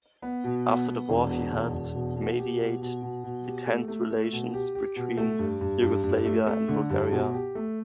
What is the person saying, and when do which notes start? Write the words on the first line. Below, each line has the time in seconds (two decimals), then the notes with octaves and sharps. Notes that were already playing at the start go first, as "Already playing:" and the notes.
After the war, he helped mediate the tense relations between Yugoslavia and Bulgaria.
0.22 B3
0.44 B2
0.66 B3
0.87 B3
1.09 E1
1.30 B2
1.51 E1
1.73 E1
1.95 B2
2.16 B2
2.39 G4
2.59 B2
2.82 B2
3.02 B2
3.24 B2
3.45 G4
3.67 A3
3.88 A3
4.10 A3
4.32 B2
4.53 G4
4.75 G4
4.96 B2
5.17 A3
5.39 G2
5.61 G2
5.82 G2
6.03 G2
6.25 A3
6.46 A3
6.68 D3
6.90 G2
7.11 B2
7.34 G4
7.55 A3